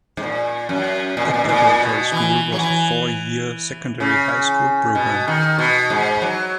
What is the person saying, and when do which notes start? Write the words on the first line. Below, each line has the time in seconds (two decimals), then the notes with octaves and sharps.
The Preparatory School was a four year secondary high school program.
0.17 G#2
0.23 A#2
0.69 F#2
1.17 A#2
1.25 B2
1.34 A#2
1.44 G#2
1.49 A#2
1.80 B2
2.12 E3
2.52 F#3
2.59 E3
4.00 C#3
4.95 B2
5.28 D#3
5.58 B2
5.90 G#2
6.22 F#3